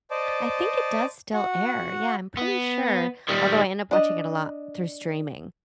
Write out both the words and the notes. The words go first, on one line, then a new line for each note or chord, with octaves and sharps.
I think it does still air, yeah, I'm pretty sure, although I end up watching it a lot through streaming.
C5 D5 D#5 A5
F#4 F#5
B3
D#3 G3
D4 D#5